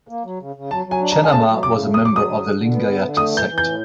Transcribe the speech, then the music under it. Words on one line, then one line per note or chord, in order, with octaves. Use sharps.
Chennamma was a member of the Lingayat sect.
A#3
F#3
C#3
C#3
F#3 A5
F#3
G#5
D4
A#5
C#3
G#5
A3 A5
F#3
C#3 D6
A3
F#3 D#6
F#3 D6
D#6
D3
D3
D3
B3
D3
D3
A3 D#6
E3
G6
E3
G6
A2